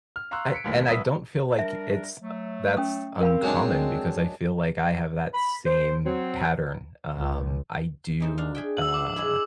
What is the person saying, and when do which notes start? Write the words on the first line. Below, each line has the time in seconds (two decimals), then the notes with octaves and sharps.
I and I don't feel like i it's that's uncommon because I feel like I have that same pattern. Um, I do, uh,
0.16 F6
0.31 F5 A#5 C6 C#6 E6 F#6
0.53 B6 C#7 D7
0.64 G1 D#2 A2 D#3 B6
0.88 C2 B4 E5 D#6 E6 B6
1.59 G3 D4 A#4 E5
2.21 F#3 A3
2.77 C#4 D#6
3.21 C4 A#4 F5 B5
3.42 F#3 G#3 D4
5.35 B5
5.67 C5
6.05 F#3 C4
7.16 C#2
8.20 E3 D#4 C5
8.38 D4 F5
8.55 G#4 E5 G5
8.77 E6 F#7
8.94 D6
9.16 E4 G#4 D#5